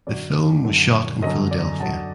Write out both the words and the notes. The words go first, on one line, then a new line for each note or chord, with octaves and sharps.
The film was shot in Philadelphia.
F#2 D3 F#3 D5
F#2 D3 F#3
F#2 D3 F#3 D#5
D5
F#2 D3 F#3 F#5 A5